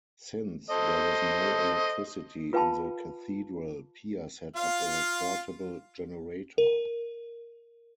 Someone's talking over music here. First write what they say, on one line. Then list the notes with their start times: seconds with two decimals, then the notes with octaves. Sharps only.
Since there was no electricity in the cathedral, Pia set up a portable generator.
0.70 A4 C5 D#5
2.53 F4 B4 F5 G5 A5 B5
4.56 F4 F5
6.58 A#4